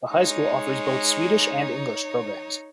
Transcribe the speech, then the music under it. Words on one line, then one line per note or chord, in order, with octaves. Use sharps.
The high school offers both Swedish and English programs.
G#3 D#4 C#5